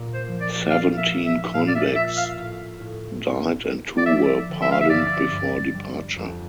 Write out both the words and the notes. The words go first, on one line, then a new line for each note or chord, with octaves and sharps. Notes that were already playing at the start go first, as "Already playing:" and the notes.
Seventeen convicts died and two were pardoned before departure.
Already playing: A#2
C5
F3
D5
A#3 F5
E5
A#3
E5
A#2 F5
D5
E5
F4 E5
F5
A2
A2
F4
A#3
D5
F3 E5
D3
E5
F5
E5
G2 D5
G2
G3
F2